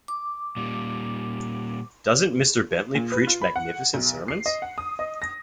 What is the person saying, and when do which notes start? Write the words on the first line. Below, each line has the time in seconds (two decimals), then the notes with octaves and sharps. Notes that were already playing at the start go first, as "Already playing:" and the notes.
Doesn’t Mr. Bentley preach magnificent sermons?
0.08 D6
0.57 A#2 G3
2.95 A#2
3.12 B4
3.27 F4
3.41 B5
3.56 F#5
3.94 B1
4.28 C7
4.46 D#5
4.62 F#5
4.78 D#6
4.99 D#5
5.22 A#6